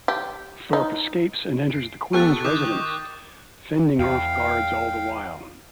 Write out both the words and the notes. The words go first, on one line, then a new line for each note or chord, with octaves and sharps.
Thorpe escapes and enters the Queen's residence, fending off guards all the while.
G4
D#4
C7 D7
B3 G4 A4 C#6 F#6 A6
D#3 D6 D#6 G6
E2 F5 G5